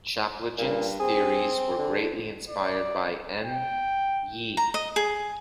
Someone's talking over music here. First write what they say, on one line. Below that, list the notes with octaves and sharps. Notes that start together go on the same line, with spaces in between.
Chaplygin's theories were greatly inspired by N. Ye.
G2 A#2
C4 G#4
D3
D5
G5
A#5
D#5
G#4